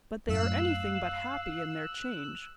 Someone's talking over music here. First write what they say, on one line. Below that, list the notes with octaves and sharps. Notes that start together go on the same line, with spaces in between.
But they are anything but happy in their change.
F#2 A2 F5 E6 F#6